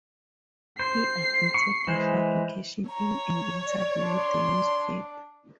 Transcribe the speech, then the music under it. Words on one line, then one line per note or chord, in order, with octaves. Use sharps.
He admitted the fabrication in an interview with the newspaper.
C5 C7
C#6
E3 G#3 C5
C#5 A#5
D5
D4 C6